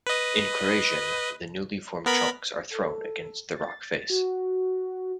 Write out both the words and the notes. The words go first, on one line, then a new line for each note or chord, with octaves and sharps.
In corrasion, the newly formed chunks are thrown against the rock face.
B4 D#5
B3 A#4 B5
A4
A6
F#4